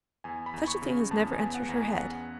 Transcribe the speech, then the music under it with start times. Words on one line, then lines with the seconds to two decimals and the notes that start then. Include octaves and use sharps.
Such a thing has never entered her head.'
0.24 E2 G#5
0.46 B5
0.54 E2
0.68 C#6
0.82 C#3
1.11 E2 A5
1.33 G#5
1.40 B3
1.54 F#5
1.69 E2
1.76 G#5
1.98 E2 F#5